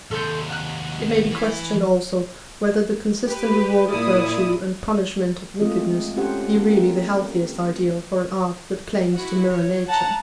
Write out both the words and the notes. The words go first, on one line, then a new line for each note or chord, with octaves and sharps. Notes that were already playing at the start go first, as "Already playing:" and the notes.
It may be questioned, also, whether the consistent reward of virtue and punishment of wickedness be really the healthiest ideal for an art that claims to mirror nature.
D#2 C3 A4 C6 G6
F#5 F#6
E3
G4 B4
A#2 E4 D5 D#6
G#3 A3 C4 F4 D#5
C4 C#4 G4 A4 C5 F#5
A#3 A4
E4 F#4
C#5
F#5 A5 A#5